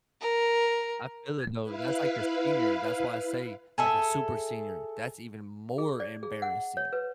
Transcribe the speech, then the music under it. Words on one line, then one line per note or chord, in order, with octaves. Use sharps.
I feel it, though, that's like the senior. That's why I say, like, a super senior, that's even more embarrassing,
A#4
E4 B4 F5
G#4 A4 E5
G#4
D5
G#4
F#5
C#5
B4